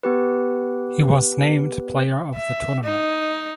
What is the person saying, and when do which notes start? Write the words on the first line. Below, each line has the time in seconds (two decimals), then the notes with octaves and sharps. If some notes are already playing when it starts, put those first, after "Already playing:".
He was named player of the tournament.
0.03 B3 G4 B4
2.35 E5
2.83 D#4